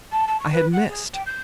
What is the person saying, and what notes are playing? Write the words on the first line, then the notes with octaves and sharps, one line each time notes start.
I had missed!
A5
A5
C#6
B4
F#5
G#4
G5
G6